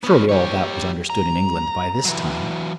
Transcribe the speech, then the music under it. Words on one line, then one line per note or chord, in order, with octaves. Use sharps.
Surely all that was understood in England by this time.
B3 C#4
G4 C#5
A#5
E3 F#3